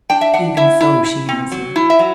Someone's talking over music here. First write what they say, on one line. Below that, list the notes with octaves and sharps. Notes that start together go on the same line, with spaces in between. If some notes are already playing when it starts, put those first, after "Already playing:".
"Even so." she answered.
D4 G5
E5
D4 F#5
E4 E5
E4
E4
C4
F#3
E4
E5
F#3